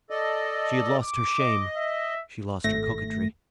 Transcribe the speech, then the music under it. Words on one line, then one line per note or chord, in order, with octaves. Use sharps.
She had lost her shame; she lost her coquetry.
A4 D5 D#5
D6
D#5
E5
G#1 A3 A#6